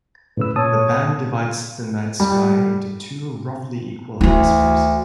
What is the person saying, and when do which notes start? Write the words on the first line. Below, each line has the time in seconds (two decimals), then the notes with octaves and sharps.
The band divides the night sky into two roughly equal hemispheres.
0.37 A2 C#3 B4 E6
0.56 A#2 C#5 A5 D#6
2.20 G3
4.21 D2 E3 E4